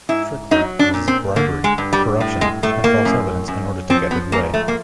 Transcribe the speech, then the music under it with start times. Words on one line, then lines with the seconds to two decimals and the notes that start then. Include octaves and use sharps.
Trickler, uses bribery, corruption, and false evidence in order to get his way.
0.09 G#2 E4
0.51 F#3 D#4
0.79 D4
0.94 A#2
1.08 C4
1.36 D3 A#3
1.64 G#3
1.78 G2
1.93 G3
2.20 A2
2.41 G#3
2.63 A2 A3
2.84 A#3
3.05 F#2
3.48 F#2
3.90 F3 C4
4.11 B3
4.32 G#2 A#3
4.54 A3
4.68 A#3